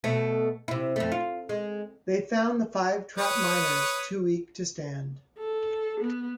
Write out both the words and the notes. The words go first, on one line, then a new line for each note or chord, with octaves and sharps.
They found the five trapped miners too weak to stand.
B2 A3
C3 E4
F2 A3
F4
G#3
B4 C#5 D#6
A4
B3